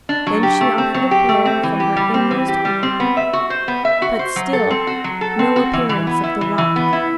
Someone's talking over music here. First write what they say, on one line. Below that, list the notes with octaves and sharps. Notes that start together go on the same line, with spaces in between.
Then she offered a prayer from her inmost heart, but still no appearance of the rock.
D4
F#3
G4
A3
C4
F#3
G4
A3
C4
E3
G4
G3
C4
E3
G4
G3
C4
B3
E5
F#4
C5
B3
E5
F#4
C5
F#3
A4
C4
F#4
F#3
A4
C4
F#4
E3
E3
B3
E4
E3
E3
B3
E4